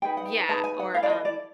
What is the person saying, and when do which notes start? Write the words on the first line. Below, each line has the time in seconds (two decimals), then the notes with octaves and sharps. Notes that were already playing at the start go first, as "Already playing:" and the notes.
Yeah. Or, um
0.02 D#4 G#4 B4 G5
0.17 F#5
0.25 G5
0.48 D#4 G#4 B4 A5
0.64 G#5
0.80 F#5
0.94 E4 A4 F5
1.03 D5
1.10 D#5
1.25 D5